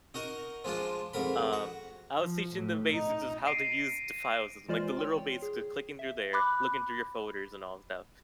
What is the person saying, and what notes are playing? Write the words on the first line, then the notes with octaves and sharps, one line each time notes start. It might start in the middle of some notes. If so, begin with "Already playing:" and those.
um, I was teaching them basics of how to use the file system, like the literal basics of clicking through there, looking through your folders and all of that,
D#4 F#4 A#4
F3 G#3 D4 F4
F2 G#2 A#4 B5
F#4
F3
A2
D#4
A#6 C7 D7 D#7
E3 G#3 F4 C5 D5 F6
C#5 G5 C6
G#4
E5
B5 D6 F#6